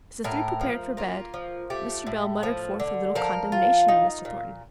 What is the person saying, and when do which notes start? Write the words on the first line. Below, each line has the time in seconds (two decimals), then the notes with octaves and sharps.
As the three prepared for bed, Mr. Bell muttered forth a little condemnation of Mr. Thornton.
0.24 A2 A#4
0.61 F3
0.97 A#3 F4
1.34 F3
1.70 A3 G4
2.07 A2
2.43 F3
2.80 D3
3.15 F3 A#4
3.52 F4
3.88 D#4
4.25 A#2